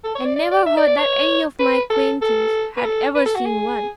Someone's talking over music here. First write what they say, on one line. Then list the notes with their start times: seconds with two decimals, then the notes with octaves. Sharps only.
I never heard that any of my acquaintance had ever seen one.
0.04 A4
0.15 C#5
0.25 D5
0.36 D5
0.51 D5
0.66 E5
0.77 D5
0.87 D5
0.97 C#5
1.59 B4
1.90 A4
2.22 A4
2.77 B4
2.84 A4
3.15 B4
3.26 A4
3.35 F#4
3.45 G#4